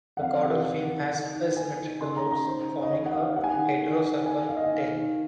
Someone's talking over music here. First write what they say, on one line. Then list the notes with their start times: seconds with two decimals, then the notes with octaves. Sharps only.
The caudal fin has asymmetrical lobes, forming a heterocercal tail.
0.17 F#5
0.21 F2 F5
0.43 C3 F#5
0.67 D#3
0.88 D#3
1.12 D#3
1.34 D#3
1.57 D#3 G#5
1.79 D#3
2.01 C#3 C6
2.16 A#5
2.24 C#3
2.31 A#5
2.46 D#3 C5
2.68 D#3 C5
2.83 D#5
2.91 D#3 C#5
3.06 F#5
3.13 D#3 F5
3.36 D#3 F#5
3.44 G#5
3.52 F#5
3.59 D#3
3.82 D#3
4.04 D#3
4.26 D#3 G#5
4.49 D#3 F5
4.57 D#5
4.64 F5
4.72 D#3
4.93 D#3